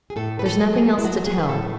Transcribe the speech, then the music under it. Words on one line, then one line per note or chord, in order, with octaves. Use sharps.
There's nothing else to tell.
G#4
A2 A4
B4
A4
F#3
G#4
E4
F#3 F#4
G#4
B4
A2 A4